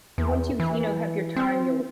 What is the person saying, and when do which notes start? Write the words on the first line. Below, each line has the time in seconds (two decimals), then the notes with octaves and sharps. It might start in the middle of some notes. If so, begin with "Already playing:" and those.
and once you you know, have your time, you'll
0.18 E2
0.60 E3
1.36 C4